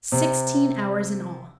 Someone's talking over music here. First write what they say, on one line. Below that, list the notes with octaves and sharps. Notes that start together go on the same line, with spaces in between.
"Sixteen hours in all?"
C3